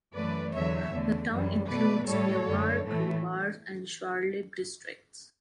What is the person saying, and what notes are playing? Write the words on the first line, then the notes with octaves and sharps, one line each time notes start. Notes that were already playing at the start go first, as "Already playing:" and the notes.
The town includes Neuermark-Lübars and Scharlibbe districts.
F#2 E3 A3 B4 D5
E2 D3 F#3 C#5 E5
E2 D3 A3
F#2 E3 G3
B2 A3 B4 D5
A2 G3 A4 C#5
F#2 D3 A3
A2 E3 A3